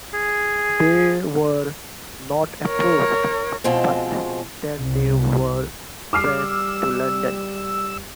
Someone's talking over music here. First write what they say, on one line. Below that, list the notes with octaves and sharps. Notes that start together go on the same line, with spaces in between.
They were not approved, but then they were sent to London.
G#4
A#4 C#5
B2 F3 G#3 C4
C2
G3 D6 E6 F6 C7